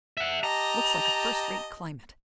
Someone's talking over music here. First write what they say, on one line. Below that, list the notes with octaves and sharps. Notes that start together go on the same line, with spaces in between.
Looks like a first-rate climate.
E5 F#5
G4 D#5 A5 A#5